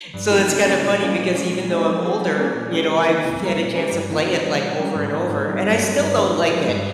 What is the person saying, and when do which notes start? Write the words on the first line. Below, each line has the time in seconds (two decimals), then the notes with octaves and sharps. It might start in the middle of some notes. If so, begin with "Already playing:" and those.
so it's kind of funny because even though I'm older, you know, I've had a chance to play it like over and over, and I still don't like it.
0.14 G2
0.31 F3 A#3 D#4
0.48 C#3
0.65 G3 A#3 C#4 G#4
0.83 A#2
1.00 G3 A#3 C#4 F4
1.17 A#2
1.35 G#3 C#4
1.51 A#2
1.69 G#3 C4 D#4
1.86 F3
2.03 C4 F4 G#4
2.20 G3
2.38 A#3 C#4 G#4
2.55 A#2
2.72 G#3 C#4 G4
2.89 C3
3.06 D#3 A#3 D#4
3.24 C3
3.41 G3 A#3 F4 A#4
3.58 A#2
3.75 G#3 C#4 G4 A#4
3.92 G2
4.10 D#3 A#3 F4
4.27 C#3
4.44 F3 G#3
4.61 A#2
4.79 G3 C#4 G4 A#4
4.95 G#2
5.13 D#3 A#3 C#4
5.30 G#2
5.47 G3 C4 D#4 G4
5.64 G2
5.82 G3 C4 G4
5.99 G2
6.16 D#3 G#3 C#4 G#4
6.33 A#2
6.50 F3 G#3 D#4 G4
6.68 G2